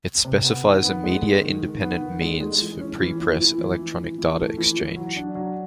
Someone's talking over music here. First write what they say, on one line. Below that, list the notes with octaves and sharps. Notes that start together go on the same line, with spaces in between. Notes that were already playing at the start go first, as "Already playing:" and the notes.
It specifies a media-independent means for prepress electronic data exchange.
C3
B3
D#3
B3
G#3
G#3
D#3
D#3
B3
D#3
G#3
G#3
E3
C#4
E3
E3
E3
E3
E3
E3
E3
A3
E3
E3
F#3
D4
F#3